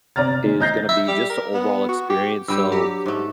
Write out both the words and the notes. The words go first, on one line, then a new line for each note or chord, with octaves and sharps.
is gonna be just the overall experience. So
C3 D5 A#5 F6 A6
D#3 G#3
D#5 A#5 G6 A6 A#6 C7
E5
G3
A#4
B3
F#4
G4
G2 G3 G4 E6
F#3 G4
G#2 A3